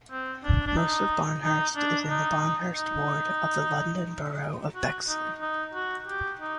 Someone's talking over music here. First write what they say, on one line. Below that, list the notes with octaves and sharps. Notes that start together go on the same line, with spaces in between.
Most of Barnehurst is in the Barnehurst ward of the London Borough of Bexley.
C4
D4
D4
D#4
D#4
D4
D#4
D#4
F#4
D#4
D#4
F#4
G4
D#4